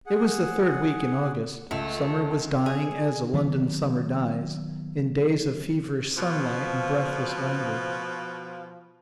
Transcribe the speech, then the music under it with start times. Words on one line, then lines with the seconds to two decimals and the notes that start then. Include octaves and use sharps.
It was the third week in August; summer was dying, as a London summer dies, in days of feverish sunlight and breathless languor.
0.06 G#4 F#5
1.71 C#2 A3
2.66 G#4
3.34 D#3 F#3 B3
6.17 B2 F3